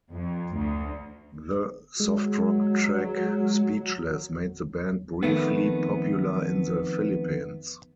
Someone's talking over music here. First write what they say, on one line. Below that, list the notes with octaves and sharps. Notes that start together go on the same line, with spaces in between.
The soft rock track "Speechless" made the band briefly popular in the Philippines.
F2
D2
F#3 G#3
F2 D#3 A3 B3